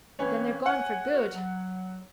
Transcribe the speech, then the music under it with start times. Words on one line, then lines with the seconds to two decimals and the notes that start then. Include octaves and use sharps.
"Then they are gone for good."
0.19 E3 A#3 C4 C#4 B4 C#5
0.66 C#5 F#5 G#5
1.11 F#4 A#4
1.34 F#3